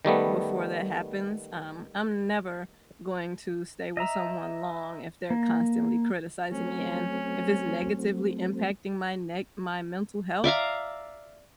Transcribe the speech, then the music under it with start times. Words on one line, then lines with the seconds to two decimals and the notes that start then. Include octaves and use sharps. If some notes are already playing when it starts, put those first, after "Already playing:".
before that happens, um, I'm never going to stay with someone long if they're constantly criticizing me and if it's negatively impacting my ne my mental health,
0.05 D#3 G3 A3 B3
3.97 D#5 E5 A#5
5.30 A#3
6.51 F#3 A3 C4 C#4
10.44 D5 E5 F5 A#5